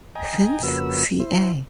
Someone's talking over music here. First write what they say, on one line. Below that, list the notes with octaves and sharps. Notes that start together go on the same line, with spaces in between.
Since ca.
D#5 G5 G#5 A#5
F2 C#3 A#3 F#4 B4 E6
E4 C5